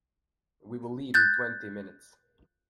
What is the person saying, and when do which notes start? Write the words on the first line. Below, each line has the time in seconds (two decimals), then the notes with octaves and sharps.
We will leave in twenty minutes.
1.14 F#6 G6 A6